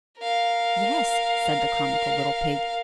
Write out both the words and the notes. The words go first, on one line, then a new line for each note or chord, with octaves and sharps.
"Yes," said the comical little pig.
A#4 F5